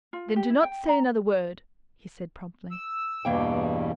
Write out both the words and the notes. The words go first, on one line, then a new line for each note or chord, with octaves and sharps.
"Then do not say another word," he said, promptly.
F4
G4
E4
G5
A#5
E6
E2 G2 B2 E3 A#3 G5